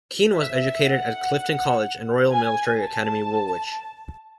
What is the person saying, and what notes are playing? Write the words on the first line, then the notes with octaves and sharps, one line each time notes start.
Keane was educated at Clifton College and Royal Military Academy Woolwich.
E5
F#5
G#5
A5